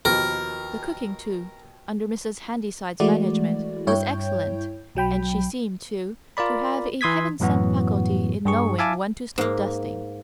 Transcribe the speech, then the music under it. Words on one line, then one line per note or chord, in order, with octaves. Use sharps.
The cooking, too, under Mrs. Handyside's management was excellent, and she seemed, too, to have a heaven-sent faculty in knowing when to stop dusting.
D#2 B2 F3 A#4
E3 G#3 A3 E4 F#4 D5
G2 E4 C#5 G5 G6
B1 F#3 G5 B5
F4 A#4 D5 B5
E3 C6 D#6 G#6 B6
F#2 A2 E3 F#3 B3 F#4
G2 G#4 C#6
E4 E5 F5 G#5 A5 D6
G#2 A#3